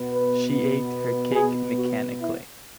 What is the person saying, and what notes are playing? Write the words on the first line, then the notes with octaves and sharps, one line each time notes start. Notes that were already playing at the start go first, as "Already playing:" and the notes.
She ate her cake mechanically.
Already playing: B2 B3
B4
G#4
F#4
E4